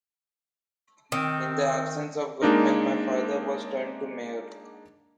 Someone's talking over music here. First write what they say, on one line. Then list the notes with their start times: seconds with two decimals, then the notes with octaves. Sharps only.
In the absence of good men, my father was turned to mayor.
1.12 D#3 C4
2.42 G#3 A#3 D4 D#4 A#4